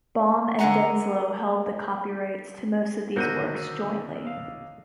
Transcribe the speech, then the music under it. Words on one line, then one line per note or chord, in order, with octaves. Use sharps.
Baum and Denslow held the copyrights to most of these works jointly.
D3 A#4 D5 F#5 G#5 A#5
B1 D3 D#3 F#4 A#4 C5 G6 D#7
F5